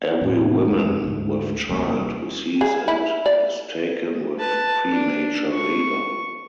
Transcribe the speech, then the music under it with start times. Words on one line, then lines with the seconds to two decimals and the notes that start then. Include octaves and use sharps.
Every woman with child who sees it is taken with premature labor.
0.21 E2 A2 C3
0.65 F1 F#2 G#3
1.04 D2 G#2
1.69 F1 E2 G3 A#3
2.61 G#4
2.88 E4
3.26 D5
4.38 B4 A5
4.91 D4
5.54 C#6